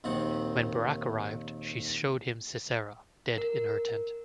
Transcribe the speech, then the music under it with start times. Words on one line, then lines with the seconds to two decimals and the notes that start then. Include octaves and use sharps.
When Barak arrived, she showed him Sisera, dead in her tent.
0.04 A#1 D#2 D#3 C4 F#5
3.38 A#4